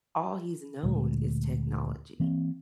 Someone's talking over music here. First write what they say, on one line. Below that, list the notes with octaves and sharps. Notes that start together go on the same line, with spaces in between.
all he's known is technology,
D2 A#2 G#3
E3 A#3 C4